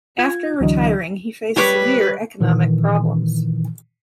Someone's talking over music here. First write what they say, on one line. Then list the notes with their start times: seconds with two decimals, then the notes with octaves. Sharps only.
After retiring, he faced severe economic problems.
0.18 F4 G#6
0.60 C#2 D3 E3 F#3 D4 D#5
1.56 G3 B4 C#5 D6
2.40 A#2 D#3 E3